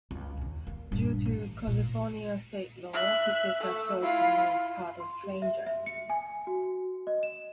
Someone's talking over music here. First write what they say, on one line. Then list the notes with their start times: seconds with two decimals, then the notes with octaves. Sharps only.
Due to California state law, tickets are sold only as part of train journeys.
0.11 C#2
0.41 D#2
0.67 A#3
0.92 A#1 G2
1.26 A1
1.67 A#2
2.93 E5 F#6
3.61 A3 E6
4.02 E4 F4
5.00 C6
5.24 G4
5.42 E5
5.66 E5
5.86 C#7
6.10 G#5
6.47 F#4
7.07 D#5
7.23 E7